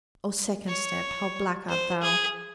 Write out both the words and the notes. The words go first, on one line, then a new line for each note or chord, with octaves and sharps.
Oh, second step, how black art thou!
C#5
C5
G#4